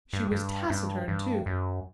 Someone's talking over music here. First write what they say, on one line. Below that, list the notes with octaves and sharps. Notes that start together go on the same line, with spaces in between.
She was taciturn, too.
G2
G2
G2
G2
F#2